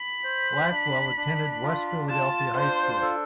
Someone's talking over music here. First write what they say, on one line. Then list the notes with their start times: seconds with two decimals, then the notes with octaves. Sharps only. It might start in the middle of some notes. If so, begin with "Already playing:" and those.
Blackwell attended West Philadelphia High School.
Already playing: B5
0.24 C5
0.71 D4
1.17 D4
1.64 F4
2.09 F4 A5
2.56 D4 C5
3.02 A4